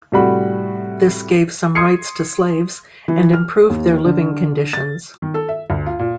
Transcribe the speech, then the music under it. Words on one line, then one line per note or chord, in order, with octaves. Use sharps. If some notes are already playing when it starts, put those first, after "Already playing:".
This gave some rights to slaves and improved their living conditions.
A2 C3 G3 F#4 B5
C6 D#6 G#6 C7 C#7
E3
F6
D#2
D3
A6
D#3
A4
E5
D2
F4
A#2